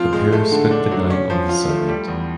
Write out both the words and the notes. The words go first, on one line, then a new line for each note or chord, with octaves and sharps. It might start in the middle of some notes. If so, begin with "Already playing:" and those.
The pair spent the night on the summit.
Already playing: F3 C4 F4
G#3
A3
D3
D4
F#3
C#4
F3
F4
A3
G3
E2